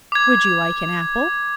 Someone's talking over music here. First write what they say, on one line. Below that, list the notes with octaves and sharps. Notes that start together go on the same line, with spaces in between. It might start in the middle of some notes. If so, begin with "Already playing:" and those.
"Would you like an apple?"
D6 G#6